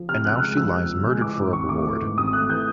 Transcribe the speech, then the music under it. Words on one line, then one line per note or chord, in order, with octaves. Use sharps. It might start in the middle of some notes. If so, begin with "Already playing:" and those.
And now she lies murdered for a reward!
Already playing: F3
C3 F6
C#2 F#6
E6
G#3 F6
F3 E6
C3
C#2
G#3
E3 D6
G#2
G#1 C#6
A3 D6
E3
G#2
G#1 D#6
A3 F#6
E3 G6